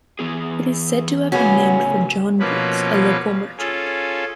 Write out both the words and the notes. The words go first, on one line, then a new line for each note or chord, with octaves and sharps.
It is said to have been named for John Briggs, a local merchant.
E3 B3 G#4
A2 C#3 F#3 A#3 B3 C#4 F#4
B2 F3 A#3 C#4 B4
C#4 F4 G#4 A4